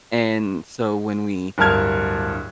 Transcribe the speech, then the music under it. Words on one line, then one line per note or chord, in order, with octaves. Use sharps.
And so, when we
D1 G2 A#4 A5 F6 G#6